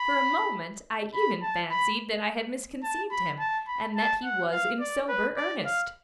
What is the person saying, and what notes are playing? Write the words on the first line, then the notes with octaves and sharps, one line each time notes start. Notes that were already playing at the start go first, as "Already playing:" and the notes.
For a moment I even fancied that I had misconceived him, and that he was in sober earnest.
Already playing: B5
B5
A5
B5
A5
B5
A5
B5
A5
F#5
F5
D5
B4
D5
F5